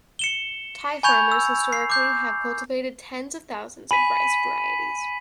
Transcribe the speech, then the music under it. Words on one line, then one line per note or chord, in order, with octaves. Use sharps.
Thai farmers historically have cultivated tens of thousands of rice varieties.
C#7 E7 G7
G#5 B5 C#6 G6 G#6 F7
E6
C7
D6 G6 C7
G#5 B5 B6 D#7 F#7